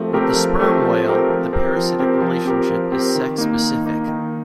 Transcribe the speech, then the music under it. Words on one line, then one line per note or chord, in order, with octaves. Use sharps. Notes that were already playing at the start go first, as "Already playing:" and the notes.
With the sperm whale, the parasitic relationship is sex-specific.
Already playing: F3 A3 C4 G4 A#4
A3 C4 G4 A#4
F3
A3 C4 G4 A#4
F3
A3 C4 G4 A#4
F3
C4 G4 A#4
F3
C4 G4 A#4
F3
C4 G4 A#4
F3
C4 G4 A#4
D#3
A#3 D#4
D#3
A#3 D#4
D#3